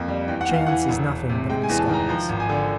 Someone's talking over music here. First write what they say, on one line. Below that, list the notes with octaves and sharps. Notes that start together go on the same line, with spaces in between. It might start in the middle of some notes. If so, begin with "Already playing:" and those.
Chance is nothing but a disguise.
Already playing: F2 A#3 F5
G3
E2 G5
F#5
E2 F5
E3 F#5
E1
E1
C3
G#3 G5
G#5
E2
A5
D#3 A#5
F3 A#5
G#1
G#5
D3